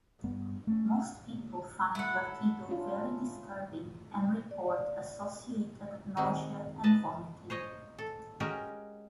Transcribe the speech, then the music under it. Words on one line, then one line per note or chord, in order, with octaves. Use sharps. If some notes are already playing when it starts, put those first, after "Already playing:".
Most people find vertigo very disturbing and report associated nausea and vomiting.
G2 B3
A3 C#4
E4 A4 F#5
C#4 D4 F4
D5
D#3 G#3 C4 F#4
B4 D#5 A5
C5 C#5 D#5
A4
G#3 C#4 F#4 G4 A#4 G#5